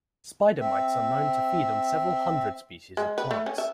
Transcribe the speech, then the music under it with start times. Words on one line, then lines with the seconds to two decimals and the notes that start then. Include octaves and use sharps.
Spider mites are known to feed on several hundred species of plants.
0.60 C4 E5
2.97 G#3
3.18 B4
3.31 A3
3.46 C#4
3.58 E5